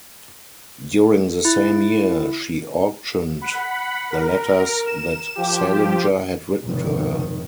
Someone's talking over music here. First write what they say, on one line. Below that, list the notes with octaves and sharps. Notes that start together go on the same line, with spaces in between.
During the same year, she auctioned the letters that Salinger had written to her.
E4
F#5 B5
A#4
E7
F3 G4
F1 G#2 B2 D#3